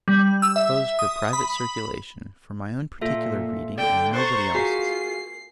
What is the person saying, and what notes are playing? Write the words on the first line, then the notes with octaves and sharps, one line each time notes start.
It's composed for private circulation, for my own particular reading, and nobody else's.
G3
E6
E5
D#6
B5
A#2 F4 A4 E5
D3 D5 G5
C5 A#5 C#6 F#6 A6
F4 F#4 G#4 G#5 C7